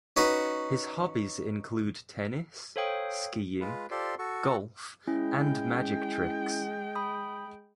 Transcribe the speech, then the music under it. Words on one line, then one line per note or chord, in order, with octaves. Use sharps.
His hobbies include tennis, skiing, golf and magic tricks.
C#4 D#4 F#4 B4
A4 C5 C#5 F5 G5 D#6
G#3 F4 B4
F4 G4 A4 C5 D5 C6
F#4 A4 C#6
G#3 C#4 E4 G5
B5 D#6